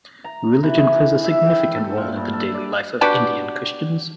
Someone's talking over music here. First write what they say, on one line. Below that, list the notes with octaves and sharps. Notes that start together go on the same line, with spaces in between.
Religion plays a significant role in the daily life of Indian Christians.
A#5
E3
G#4
E5
G5
A4
A#2
G2
A4
D5
B3 D4 F#4 G4